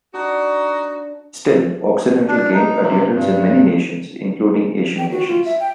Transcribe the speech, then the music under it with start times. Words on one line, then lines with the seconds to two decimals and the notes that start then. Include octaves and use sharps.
Still, Occidental gained adherents in many nations including Asian nations.
0.14 D4 D#4 F#4
2.28 D4
2.54 D#4
2.81 C3
3.15 G2
4.98 G5
5.11 F#4
5.28 F4
5.45 E5
5.60 G5